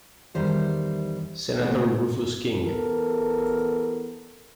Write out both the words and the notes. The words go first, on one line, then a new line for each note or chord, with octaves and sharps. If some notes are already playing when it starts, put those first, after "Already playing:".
Senator Rufus King.
E2 D#3 G3 C5 E5
A#2 C#3 F#3 A3 B3 C4
E2 B3 A4 A#4